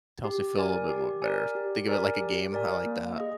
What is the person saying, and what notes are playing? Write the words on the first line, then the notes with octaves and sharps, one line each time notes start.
helps me feel a little bit more better. Think of it like a game. I like that.
G4
A#4 D5 G#5
G4
A#4 D5 G#5
G4
A#4 D5 G#5
G4
A#4 D5 G#5
A#3
G#4 D#5